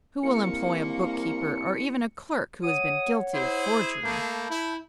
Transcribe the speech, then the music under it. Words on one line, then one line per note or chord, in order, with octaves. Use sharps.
"Who will employ a bookkeeper, or even a clerk who has been guilty of forgery?"
C2 A#3 C#7
C#5 F#5 D#6
E4 G#4 C5
A3 A#3 A5 B5 G6
E4